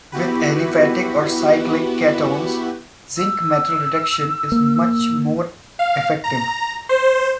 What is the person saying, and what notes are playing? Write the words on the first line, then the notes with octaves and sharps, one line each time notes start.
With aliphatic or cyclic ketones, zinc metal reduction is much more effective.
B3 E4 F#4 G4 B4
E6
A#3
F5
A#5
C5